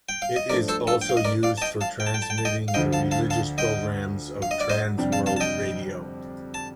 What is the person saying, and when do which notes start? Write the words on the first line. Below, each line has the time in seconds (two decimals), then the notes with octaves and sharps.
It is also used for transmitting the religious programmes of Trans World Radio.
0.09 G5
0.22 F5
0.36 D#5
0.50 F3 A3 D4 A#4 D5
0.68 A4 C5
0.87 F4 A4
1.01 G5
1.09 F5
1.17 D#5
1.25 A#4 D5
1.43 D5 F5
1.58 A5
1.62 D#5 G5
1.81 F5 A5
2.00 G5
2.07 A5
2.14 G5
2.22 A5
2.30 G5
2.38 A5
2.45 D#5 G5
2.68 F5
2.74 D2 D3 F3 D#5 G5
2.93 F5 A5
3.11 F5 A5
3.30 F5 A5
3.58 D#5 G5
4.42 F5
4.51 D#5
4.60 D5
4.70 C5 D#5
4.98 F2 C3 G3 D4 G4
5.12 F5 A5
5.26 F5 A5
5.36 A5
5.40 D#5 G5
6.54 A5